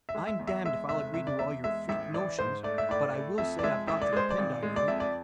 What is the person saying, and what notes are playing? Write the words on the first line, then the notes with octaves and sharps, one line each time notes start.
I'm damned if I'll agree to all your freak notions, but I will say I've got to depend on you.
E5
G#3
E5
E2
E5
G#3 E5
F1 E5
C3 E5
D5
E2 E5
G#3 E5
A1 E5
E3 D5
G#2 C5
A3 D5
E5
A2 D5
A3
F2 E5
D5
G#3 E5
A1 E5
D5
G#3 C5
D5
G#1
G#3
D5
F2 E5
D5